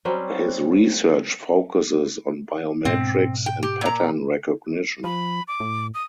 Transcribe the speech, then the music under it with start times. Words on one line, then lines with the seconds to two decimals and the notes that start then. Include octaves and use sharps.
His research focuses on biometrics and pattern recognition.
0.05 F#3 G3 C4 C#4
2.85 G#2 B2 C4
3.46 G5
3.63 G4
3.81 A#2 A#5
5.04 F3 B5
5.48 D6
5.60 A2
5.94 D#6